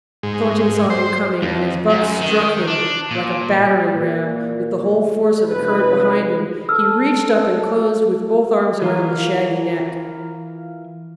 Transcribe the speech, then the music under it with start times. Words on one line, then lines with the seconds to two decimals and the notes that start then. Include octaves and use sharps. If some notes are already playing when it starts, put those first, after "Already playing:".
Thornton saw him coming, and, as Buck struck him like a battering ram, with the whole force of the current behind him, he reached up and closed with both arms around the shaggy neck.
0.23 G#2
0.90 C5
1.42 F2
1.90 F#2
2.21 D#3
2.67 D4
3.11 A#2
3.95 A#2
5.49 F1 B4
6.69 A4 E6 F6
8.82 E3 F4 A#4